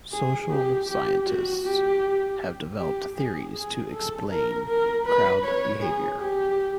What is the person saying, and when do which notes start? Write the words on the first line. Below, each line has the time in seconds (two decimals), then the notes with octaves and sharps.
Social scientists have developed theories to explain crowd behavior.
0.12 G#4
0.51 G4
0.89 G4
1.27 F#4
1.65 G4
2.79 G4
3.17 G#4
3.55 G#4
3.93 A4
4.31 A#4
4.69 A#4
5.07 B4
5.45 C#5
5.83 G#4
6.21 G4